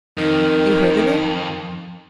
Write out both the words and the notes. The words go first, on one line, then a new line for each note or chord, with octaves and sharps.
You heard of it?
F2 D#3